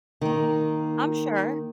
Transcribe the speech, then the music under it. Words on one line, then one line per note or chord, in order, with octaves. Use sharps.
I'm sure.
D#3 A#3